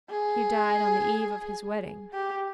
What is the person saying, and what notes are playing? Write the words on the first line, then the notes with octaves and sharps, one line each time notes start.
He died on the eve of his wedding.
G#4
G4